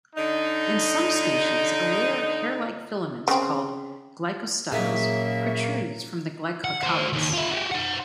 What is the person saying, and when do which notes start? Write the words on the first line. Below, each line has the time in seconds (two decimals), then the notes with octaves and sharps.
In some species, a layer of hair-like filaments called glycostyles protrudes from the glycocalyx.
0.15 D3 D#4
3.28 C#3 C4
4.72 A#2 C#3 F#3 A#3 D#4 G#4 E5
6.64 F#5
6.83 F#4 C5
7.13 D#2 D#3
7.33 F4 E5
7.51 F#4 G4
7.71 C5 F#5